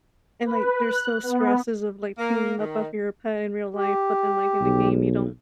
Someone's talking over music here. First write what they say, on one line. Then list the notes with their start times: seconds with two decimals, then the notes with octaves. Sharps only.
and, like, there's still stresses of, like, cleaning up off your pet in real life. But then, like, in the game, you don't
0.45 B4
0.80 F#6
1.23 B3
2.18 A#3
2.58 D#3
3.74 G4
4.60 B1